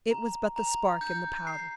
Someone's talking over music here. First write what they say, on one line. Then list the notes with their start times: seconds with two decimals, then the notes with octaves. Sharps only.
It was but the spark in the powder.
0.11 A#5
0.56 A#5
1.01 G6
1.47 C7